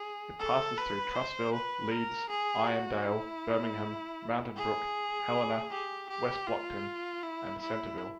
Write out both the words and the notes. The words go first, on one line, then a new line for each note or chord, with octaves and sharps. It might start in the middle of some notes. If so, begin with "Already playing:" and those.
It passes through Trussville, Leeds, Irondale, Birmingham, Mountain Brook, Helena, West Blocton, and Centreville.
Already playing: G#4
A4
B4
C5
B4
A#4
G#4
F#4
E4
G#4
G4
G4
F4
E4
E4